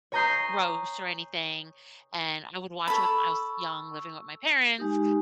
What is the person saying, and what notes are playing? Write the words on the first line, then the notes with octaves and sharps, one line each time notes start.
gross or anything and I would watch it with my I was young living with my parents
C#5 G#5 A#5 D#6 G6 C7
A4 B5 C#6 E6
G#3 D#4 G4